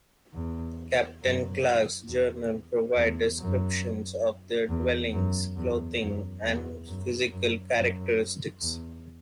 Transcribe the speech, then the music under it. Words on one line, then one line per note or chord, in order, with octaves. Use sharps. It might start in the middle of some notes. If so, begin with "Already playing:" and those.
Captain Clark's journals provide descriptions of their dwellings, clothing, and physical characteristics.
E2
F#2
E2
E2
F#2
E2
F#2
E2
F#2
E2
F#2
F#2
F#2
E2